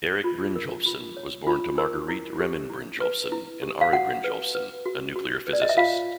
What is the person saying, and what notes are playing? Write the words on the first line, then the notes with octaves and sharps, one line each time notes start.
Erik Brynjolfsson was born to Marguerite Reman Brynjolfsson and Ari Brynjolfsson, a nuclear physicist.
F4
A#4
F4
C#5
F4
A#4
E4
G4
E4
B4
E4
G4
F5
F#4 F#5
B4
B4
F#4
F#4
B4
D5
D#5
E5
F4 F5